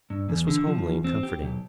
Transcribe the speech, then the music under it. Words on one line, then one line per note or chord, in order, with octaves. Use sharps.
This was homely and comforting.
G2
E2
D3
F3
E2
C4
G4
B1